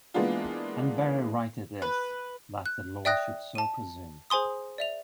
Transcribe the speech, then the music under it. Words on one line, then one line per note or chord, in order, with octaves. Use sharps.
And very right it is, that the law should so presume.
E3 G#3 A#3 B3 D4 F4
B4
F#6
D5 E5 G5 D#6 F#6 A#6
A5 D#7
G#4 C5 G#5 C6 D#6
D5 E5 F7